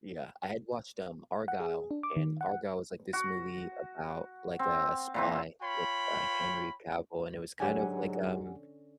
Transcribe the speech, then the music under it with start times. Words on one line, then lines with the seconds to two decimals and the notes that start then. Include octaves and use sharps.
Yeah, I had watched, um, Argylle, and Argylle was, like, this movie about, like, a spy with, uh, Henry Cavill, and it was kind of like, um,
1.48 F#5
1.60 G#4
1.91 D4
2.03 D6
2.17 D#3
2.41 F#5
3.13 F#4
4.59 C4
5.14 A#2 E3 C4
5.62 F4 C#5 G5 B5
7.60 G#2 D3 F#3 C#4 G4 F#5 G#5